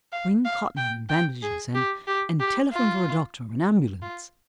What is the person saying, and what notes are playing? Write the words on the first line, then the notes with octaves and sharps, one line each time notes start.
"Bring cotton and bandages, and--and telephone for a doctor, an ambulance!"
F5
F5
G5
G5
G#4
G4
G4
G4
F4
F4